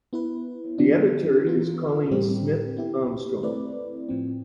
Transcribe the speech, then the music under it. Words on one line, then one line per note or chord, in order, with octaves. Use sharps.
The editor is Colleen Smith Armstrong.
B3 E4 B4
D3 F3 B3 D4
E3 B3 F4
A2 E3 G3 C4 G4
B3 E4 G4
A3 C4 E4 B4 D5
A2 F3 C4